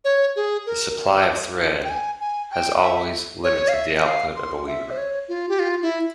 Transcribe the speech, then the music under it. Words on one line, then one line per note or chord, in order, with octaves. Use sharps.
The supply of thread has always limited the output of a weaver.
C#5
G#4
A#4
G5
G#5
G#5
G5
E5
C#5
F5
E5
F5
C6
E5
C5
C#5
F4
G4
F4
E4